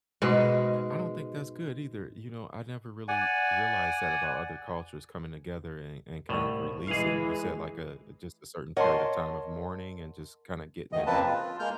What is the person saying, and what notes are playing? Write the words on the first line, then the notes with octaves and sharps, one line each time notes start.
I don't think that's good either. You know, I never really realized that about other cultures coming together and and kind of releasing. You said, like, a just a certain period of time of mourning and just kinda getting it out.
G#2 B2 G#3
D5 F#5 G#5
C2 A2
E3 G#3 G#4 F5
A#4 C#5 D#5 F#5 A5 C6
D2 G#2 D#3 D#5
C#3 F3 A#3 C4 B4 A5
F4
G#3 A#3 F6 G6